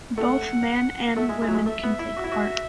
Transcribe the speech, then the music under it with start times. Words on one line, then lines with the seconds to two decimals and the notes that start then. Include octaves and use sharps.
Both men and women can take part.
0.18 A3 F#5
1.16 A3 E5
1.29 G#3
1.42 G#3
1.48 F#3
1.54 G#3
1.66 A3 E5
1.83 B3
1.99 E4
2.17 F#4
2.24 E4
2.32 F#4